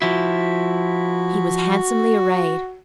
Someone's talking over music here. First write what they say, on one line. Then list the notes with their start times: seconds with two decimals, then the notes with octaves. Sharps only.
He was handsomely arrayed.
0.02 F3 E4 F#4